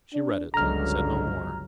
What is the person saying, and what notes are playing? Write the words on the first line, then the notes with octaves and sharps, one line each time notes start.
She read it, and said no more.
D4
G1 C#2 D3 F#3 A#5 F6